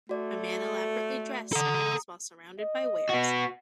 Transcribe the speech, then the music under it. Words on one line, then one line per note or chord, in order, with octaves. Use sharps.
A man, elaborately dressed, smiles while surrounded by wares.
A3 F#4 D5
A4 F#5 A#5 D#6
D#5
B3 F#4